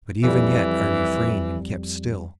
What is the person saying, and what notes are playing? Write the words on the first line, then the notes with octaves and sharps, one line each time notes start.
But even yet I refrained and kept still.
F2 E3 G3